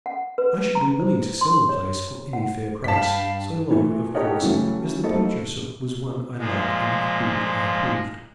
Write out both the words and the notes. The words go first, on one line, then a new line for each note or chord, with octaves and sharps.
I should be willing to sell the place for any fair price--so long, of course, as the purchaser was one I liked and of whom I approved.
F#5
B4
A#5
C5
C6
C#5
F#5
G2 F5 G5 A5 B5 B6
A#2 E3 A3
G4 A4 A#4 C#5 D#5 F#5
C#3 E3 F#3 G3 A3
A3 A#3 C4 D#4 E4 A4
A#2 F3 G#3